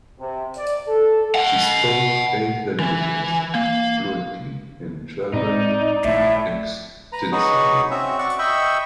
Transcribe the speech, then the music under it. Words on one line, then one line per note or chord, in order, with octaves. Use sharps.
She spoke eight languages fluently and traveled extensively.
C3
D5
A4
D#5 F#5
E3
A#3
A2 C4 D#4 D5
A#1 A2 A3 E5
B4 A#5
D#4 F#4 G#4 B4 C#5
C4 C#4 F#4 E5
F#4 D5 F#5 C#6
D#5 E5 G5 B5 C#6 E6